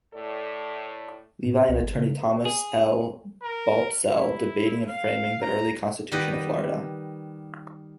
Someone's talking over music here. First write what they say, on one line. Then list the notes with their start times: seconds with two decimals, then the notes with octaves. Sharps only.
Levy and Attorney Thomas L. Baltzell debating and framing the early constitution of Florida.
0.14 A2 A4 D5
1.45 A2
1.69 C2
1.81 G#1
1.95 C#3
2.45 G#4
3.43 A#4
4.14 E4
4.88 F5
5.42 A#5
6.12 D#3 G3 G4 B4 D#5 F#5